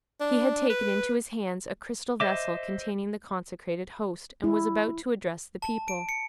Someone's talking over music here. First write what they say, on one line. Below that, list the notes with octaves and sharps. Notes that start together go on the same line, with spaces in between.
He had taken into his hands a crystal vessel, containing the consecrated Host, and was about to address the people.
D4
B4
C5 D#5 E5 D6
E4
A5
D7
C#7